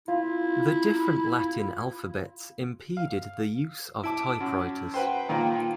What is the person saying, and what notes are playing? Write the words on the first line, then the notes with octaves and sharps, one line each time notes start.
The different Latin alphabets impeded the use of typewriters.
E4 F4
F5
E4 A5 D6 D7
F#2
F#4 B4 C5 G5
A#2 D#3 A#3 F4